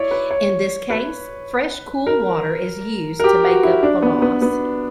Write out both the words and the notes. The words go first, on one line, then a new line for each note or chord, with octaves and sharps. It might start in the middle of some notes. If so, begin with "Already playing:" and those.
In this case fresh cool water is used to make up the loss.
Already playing: E4 C#5 D5
B4
C#5
B4
A#4
A#4
G4
F#4
E4
D4
B3
B3
B3